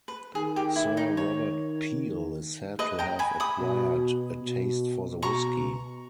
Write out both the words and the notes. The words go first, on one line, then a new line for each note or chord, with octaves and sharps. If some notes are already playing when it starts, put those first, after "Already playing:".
Sir Robert Peel is said to have acquired a taste for the whisky.
B4
D#3 G#4
G4
E4
D#4
C#5
B4 D#5
G5 A#5
G#5 B5
B5 D#6
B2
B2
B2 A#5 C#6